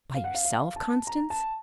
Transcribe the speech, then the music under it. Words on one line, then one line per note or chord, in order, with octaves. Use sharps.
"By yourself, Constance?"
F5
F#5
F5
F5
A5
A#5
A5